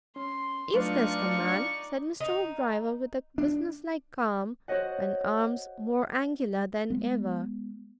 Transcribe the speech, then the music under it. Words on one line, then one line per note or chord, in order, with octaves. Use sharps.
"Is this the man?" said Mr. Hoopdriver, with a business-like calm, and arms more angular than ever.
C#4 C6
F#3 A3 D4 D#4 F4 B4 D5 C#6
D#4
D4
F#4 C5 C#5 D#5 F#5
G#3 B3